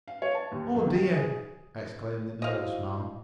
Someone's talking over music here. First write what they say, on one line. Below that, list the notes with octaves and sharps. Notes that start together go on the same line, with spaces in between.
"Oh, dear!" exclaimed the nervous man.
F5
C#5
A5
D#2
F2
D#3
G#4
E4 F#4 C5 D#5 F5